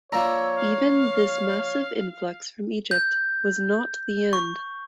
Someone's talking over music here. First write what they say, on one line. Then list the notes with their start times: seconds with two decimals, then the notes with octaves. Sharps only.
Even this massive influx from Egypt was not the end.
0.12 F3 A#3 D4 C#5 A#5 E6
0.56 F5
2.91 G6
4.33 C#6